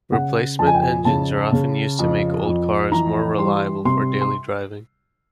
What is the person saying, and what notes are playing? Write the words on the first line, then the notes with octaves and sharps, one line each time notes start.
Replacement engines are often used to make old cars more reliable for daily driving.
C#3 F#5
F2 A5
G#5
G5
G#5
C#3 A5
C#3
F2
F2
E3 A#5
G3 C6
C3 C6
C6